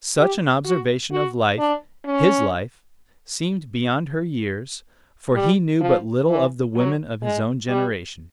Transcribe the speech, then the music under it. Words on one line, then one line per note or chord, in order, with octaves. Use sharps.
Such an observation of life, his life, seemed beyond her years, for he knew but little of the women of his own generation.
G4
F#4
F#4
D4
C#4
G3
F3
E3
F#3
G#3
G3